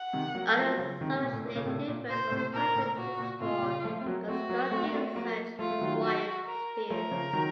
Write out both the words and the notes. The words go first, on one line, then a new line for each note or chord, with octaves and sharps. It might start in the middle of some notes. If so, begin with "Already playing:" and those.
Other substantially different constructions exist for constructing such "wild" spheres.
Already playing: F#5
C3 D#3
F#3 A#3
F3 A3
F#3
C#3 F3
C3 D#3
C3
A#2
A2
A#2
A#2 C#3
A2 C3
A#2
A#2 C5
A2 C3
A#2 A#4
A2
A#2 F#4
A#2
A2 C3 F4
A#2 C#3
F3 A3
C4
F#3 A#3
A3 C4 F#4
F#3 A#3
A3 C4
A#3
A3 C4
F#3 A#3
F3 A3 F4
A3
D#3 F#3
F#4
A#4
F3 A3 A#4
C#3 F3
D#3 F#3